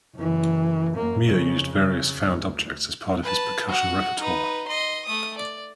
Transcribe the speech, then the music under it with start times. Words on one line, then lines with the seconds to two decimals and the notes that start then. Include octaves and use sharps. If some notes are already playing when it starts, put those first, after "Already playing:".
Muir used various found objects as part of his percussion repertoire.
0.15 F#1 E3
0.95 F#2 A#3
1.24 F2 C#3
1.77 C#3
2.14 D2
3.23 B4 A5
3.68 F#4 F#5
4.19 D#4 B4
4.68 D#5 C6
5.06 A3 D#6
5.38 D5